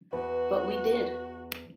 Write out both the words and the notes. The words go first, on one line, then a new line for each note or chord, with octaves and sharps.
But we did.
E2 F#4 B4